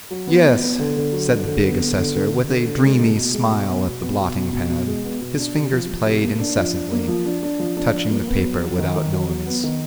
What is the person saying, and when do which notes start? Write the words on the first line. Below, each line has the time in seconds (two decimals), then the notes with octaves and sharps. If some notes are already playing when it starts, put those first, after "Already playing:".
'Yes,' said the big assessor, with a dreamy smile at the blotting-pad; his fingers played incessantly, touching the paper without noise.
0.10 F#3
0.27 B3
0.45 B3
0.62 B3
0.79 D3
0.96 D3
1.12 F#3
1.30 D3
1.46 D3
1.64 B3
1.80 B3
1.98 D3
2.15 D3
2.32 D3
2.49 D3
2.66 D3
2.83 G#3
2.99 B2
3.17 B2
3.34 G#3
3.51 B2
3.68 B3
3.85 B2
4.02 B3
4.19 B2
4.36 B2
4.53 B2
4.70 B2
4.87 G#3
5.05 B3
5.21 B2
5.38 D4
5.55 C3
5.72 F3
5.89 F3
6.06 C3
6.23 A#3
6.40 D4
6.58 F3
6.75 D4
6.92 A#3
7.08 F3
7.26 D4
7.43 D4
7.59 F3
7.77 D4
7.93 F3
8.11 A#3
8.27 B3
8.44 F#3
8.62 F#3
8.78 D#3
8.96 D#3
9.12 F#3
9.29 F#3
9.46 B3
9.63 D#3